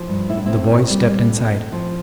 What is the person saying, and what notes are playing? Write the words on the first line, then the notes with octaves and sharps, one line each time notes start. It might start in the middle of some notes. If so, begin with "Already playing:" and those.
The boys stepped inside.
Already playing: F3 E4
G2
A2 E4
D4
A2 C4 E4
A2
G3
G3
A2
A2
F3